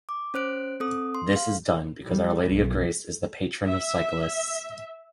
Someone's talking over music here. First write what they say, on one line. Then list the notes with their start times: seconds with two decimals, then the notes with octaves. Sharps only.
This is done because Our Lady of Grace is the patron of cyclists.
0.09 D6
0.34 C#4 C5 F#6 D7
0.80 C4 A4 D#6
1.15 C6
1.36 F5
2.06 G3
2.49 B1
3.66 E5